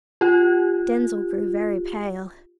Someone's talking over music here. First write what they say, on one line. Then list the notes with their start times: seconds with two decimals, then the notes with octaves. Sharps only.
Denzil grew very pale.
0.21 F4 G4